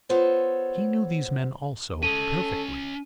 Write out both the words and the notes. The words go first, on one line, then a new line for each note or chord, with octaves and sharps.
He knew these men, also, perfectly.
B3 F4 A4 C5 C#5
C#4 A4 D#5 D#7